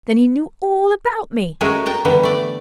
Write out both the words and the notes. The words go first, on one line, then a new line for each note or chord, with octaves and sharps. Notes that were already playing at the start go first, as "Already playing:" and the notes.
Then he knew all about me!
G#3 A3 C#4 F#4 G#4 A#4
A#4 G5 A5 A#5
D3 E3 G3 B3
A3 D5